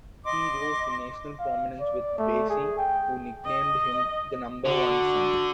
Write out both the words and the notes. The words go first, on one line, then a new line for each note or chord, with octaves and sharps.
He rose to national prominence with Basie, who nicknamed him "The Number One Son".
D#5 C6 D6
F5
D5
A3
G#4
G5
D#5
D3 D4 F#4